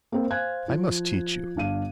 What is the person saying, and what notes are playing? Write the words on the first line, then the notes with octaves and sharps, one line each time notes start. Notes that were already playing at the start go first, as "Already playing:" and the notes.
I must teach you.
A#3 C4
C5 F5 G#5 F#6 G#6
F3
G1 D4 F5 D#7